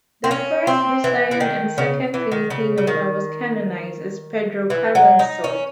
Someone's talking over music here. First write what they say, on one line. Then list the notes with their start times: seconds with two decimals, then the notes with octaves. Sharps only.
The first Visayan and second Filipino that was canonized is Pedro Calungsod.
0.24 C4
0.31 C#4
0.67 C4
1.04 E3
1.31 E3
1.40 D#3
1.78 C#3
2.14 E3
2.32 D#3
2.50 C#3
2.78 C#3
2.87 D#3
4.70 E3
4.95 F#3
5.19 D#4
5.44 C#4